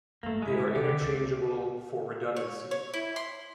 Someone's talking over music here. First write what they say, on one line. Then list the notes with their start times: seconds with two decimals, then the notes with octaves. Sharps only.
They are interchangeable for redundancy.
0.23 G#1 F#2 A3 A#3
0.42 G#3 E4
0.60 A#2
0.75 C3 E3 G4 F#5 D6
0.89 F3
1.01 C#2 A4 D5
2.36 C#5
2.71 C#5
2.94 E4
3.16 C6